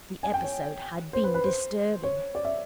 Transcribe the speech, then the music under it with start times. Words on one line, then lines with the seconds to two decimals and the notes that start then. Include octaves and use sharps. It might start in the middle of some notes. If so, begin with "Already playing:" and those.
The episode had been disturbing.
0.23 G#5
0.34 G5
0.43 C#5
1.13 C5
1.24 B4
1.34 B4
1.44 C5
2.03 C#5
2.35 D5
2.45 E5